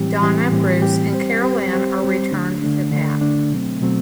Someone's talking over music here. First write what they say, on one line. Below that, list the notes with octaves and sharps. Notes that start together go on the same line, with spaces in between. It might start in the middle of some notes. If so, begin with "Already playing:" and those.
Donna, Bruce and Carol Anne are returned to Pat.
Already playing: A2 E3 G3 C4 G4
A2 E3 G3 C4 G4
A2 E3 G3 C4 G4
A2 E3 G3 C4 G4
G3 C4 G4 C5
G3 C4 G4 C5
G3 C4 G4 C5
G3 C4 G4 C5
D3 A3 D4
D3 A3 D4
D3 A3 D4
D3 A3 D4
B2 F#3 A3 C4
B2 F#3 A3 C4